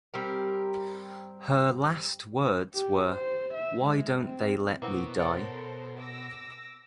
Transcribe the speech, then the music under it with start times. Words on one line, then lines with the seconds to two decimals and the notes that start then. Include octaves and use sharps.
Her last words were, Why don't they let me die?
0.14 G3 C4 G4 A#4
2.73 G4
3.07 C5
3.54 E5
3.85 G#3
4.21 C4
4.82 B2 A#3 C4 E4 F#4 B4 C5
5.20 A4 A#4 C5 C#5 F#5 A6 D7
6.00 D6 E6 A#6